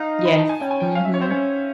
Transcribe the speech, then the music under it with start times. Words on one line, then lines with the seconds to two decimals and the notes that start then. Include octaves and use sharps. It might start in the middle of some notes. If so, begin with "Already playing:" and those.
Yes, mhm.
Already playing: D#4 F5
0.25 B5
0.38 A5
0.49 G#5
0.60 C#4 G5
0.71 G#5
0.80 G5
0.95 F5
1.05 E5
1.14 C#5
1.20 C4 C5
1.30 C#4 C#5